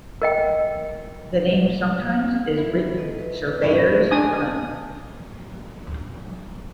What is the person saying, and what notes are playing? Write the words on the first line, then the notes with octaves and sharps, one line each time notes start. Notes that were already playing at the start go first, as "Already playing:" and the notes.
The name sometimes is written "Surveyors Run".
A#4 D#5 G5
E4
A4 D#5
B4
G2 C#4 E4 G#4 A#4
D4 G#5 D#6